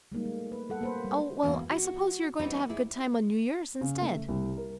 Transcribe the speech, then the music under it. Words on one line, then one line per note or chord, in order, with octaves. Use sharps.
"Oh, well, I suppose you are going to have a good time on New Year's instead."
G3 G#3 A#3 D#4
A3
B4
G3 A4 F#5
A#3 B4 C5
G3
E2 G#2 B2 A#3
F#4
G3 B3 C4 D#4 C#5
E4 G#4 D5
C#3
A3
C2
A#4